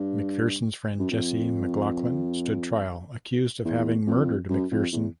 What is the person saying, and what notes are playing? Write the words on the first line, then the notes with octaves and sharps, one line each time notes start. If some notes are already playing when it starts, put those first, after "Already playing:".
McPherson's friend Jessie McLachlan stood trial, accused of having murdered McPherson.
Already playing: G2
F#2
F2
E2
F2
F#2
F2
E2